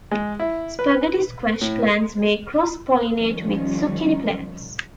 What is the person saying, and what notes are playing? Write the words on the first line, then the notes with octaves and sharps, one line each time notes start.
Spaghetti squash plants may cross-pollinate with zucchini plants.
G#3
E4
B4
A2
D#3 F3 G3 C#4